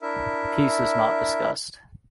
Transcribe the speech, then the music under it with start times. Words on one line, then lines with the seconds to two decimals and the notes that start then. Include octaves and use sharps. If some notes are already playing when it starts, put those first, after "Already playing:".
Peace is not discussed.
0.02 D4 E4 A#4 E5